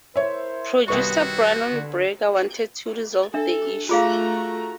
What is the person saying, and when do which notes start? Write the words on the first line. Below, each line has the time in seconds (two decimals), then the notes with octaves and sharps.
Producer Brannon Braga wanted to resolve the issue.
0.16 E4 A#4 C5 C#5 E5
0.88 C2 G2 D#3 G3 B3 F#4 C#6
1.72 D3
3.34 D4 A4 E5
3.89 A3 F4 F#4 G#4 F5 A#5